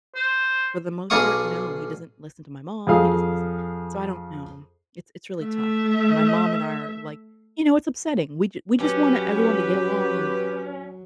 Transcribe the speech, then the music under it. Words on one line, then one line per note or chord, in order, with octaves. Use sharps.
for the most part, no, he doesn't listen to my mom, he doesn't listen so I don't know. It's it's really tough, and my mom and I are, like you know, it's upsetting. We ju we just wanna everyone to get along and
C5
B1 D4 G#4 F5 C#6 D#6
F2 G#4 F5 D#6
A3 E5
F#3 C#4 G4 B4